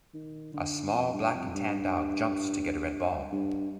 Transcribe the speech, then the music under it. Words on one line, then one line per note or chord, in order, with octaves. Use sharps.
A small black and tan dog jumps to get a red ball.
D#3
D3
F2
G2
F2
G2
G2